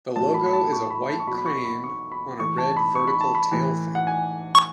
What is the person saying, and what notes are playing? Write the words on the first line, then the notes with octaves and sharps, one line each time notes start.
The logo is a white crane on a red vertical tail fin.
A2 F#3 A5
B5
B5
A5
C#6
B5
A5
C#6
B2 F#3 B5
B5
C#6
B5
C#6
B5
A2 E3 C#6
A5
B5
C#6
B5
A5
B5
A2 E3
F#5
G#5